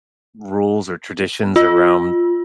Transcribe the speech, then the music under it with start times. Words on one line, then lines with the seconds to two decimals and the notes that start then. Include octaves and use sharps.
rules or traditions around
1.56 F4